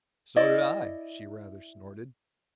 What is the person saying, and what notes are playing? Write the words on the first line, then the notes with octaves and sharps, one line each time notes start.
"So did I!" She rather snorted.
E4 D5 D#5